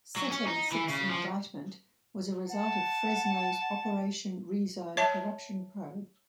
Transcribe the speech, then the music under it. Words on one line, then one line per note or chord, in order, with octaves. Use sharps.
Setencich's indictment was a result of Fresno's Operation Rezone corruption probe.
F#3
C#4
D#4
E3
C#3
F3
F#5 A5
C#5 E5 A5